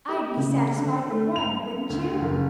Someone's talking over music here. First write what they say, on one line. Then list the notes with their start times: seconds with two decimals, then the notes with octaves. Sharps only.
I'd be satisfied with one, wouldn't you?
0.08 G4
0.37 C#3
0.77 D3
1.10 A3
1.36 F7
1.90 D2
2.21 F#1